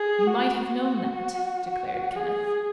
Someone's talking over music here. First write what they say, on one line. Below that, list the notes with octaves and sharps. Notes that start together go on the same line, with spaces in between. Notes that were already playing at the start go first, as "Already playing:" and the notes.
"You might have known that," declared Kenneth.
Already playing: G#4
F#4
F#4
F#4
G#4